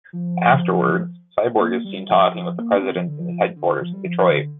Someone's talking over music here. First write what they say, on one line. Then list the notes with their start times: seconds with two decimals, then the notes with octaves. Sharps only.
Afterwards, Cyborg is seen talking with the President in his headquarters in Detroit.
0.13 F3
1.60 A#3
1.84 G3
2.09 F3
2.33 F3
2.58 A#3
2.76 D4
2.82 C4
2.95 F3
3.08 D3
3.19 F3
3.31 F3
3.56 D3
3.81 F3
3.93 G3
4.05 F3
4.21 F3
4.30 D3